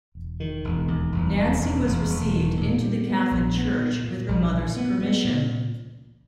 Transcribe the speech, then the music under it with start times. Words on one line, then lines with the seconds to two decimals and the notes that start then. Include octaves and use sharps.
Nancy was received into the Catholic Church with her mother's permission.
0.15 E1
0.40 D#3
0.64 E1
0.88 D#2
1.12 E1
1.36 E1
1.61 E1
1.84 E1
2.09 E1
2.34 D#3
2.57 A#2
2.82 G3
3.07 B3
3.31 A#1
3.55 B3
3.79 A#2
4.04 A#2
4.28 A#1
4.52 A#2
4.77 B3
5.00 B3
5.24 A#2